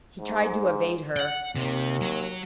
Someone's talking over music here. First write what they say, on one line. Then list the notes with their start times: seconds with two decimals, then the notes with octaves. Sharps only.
He tried to evade her.
0.21 G#2
1.17 F#5 G5
1.56 D#2 C3
2.01 F#3